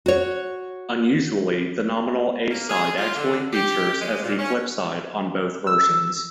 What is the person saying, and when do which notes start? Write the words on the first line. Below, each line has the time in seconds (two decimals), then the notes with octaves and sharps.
Unusually, the nominal a-side actually features as the flipside on both versions.
0.06 F#4 C#5
2.50 A#3
2.68 G#4
2.98 F4
3.16 D3
3.53 G4
4.00 G#3
4.23 A#2
4.39 C#4
5.67 E6